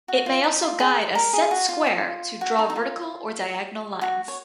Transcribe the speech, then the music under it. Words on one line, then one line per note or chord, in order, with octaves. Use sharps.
It may also guide a set square to draw vertical or diagonal lines.
F#4
F4
D#4
F4
G#4
A#4
G#4
F#4
F4
F4
F#4
D#4
D#4
F4
F#4
C#5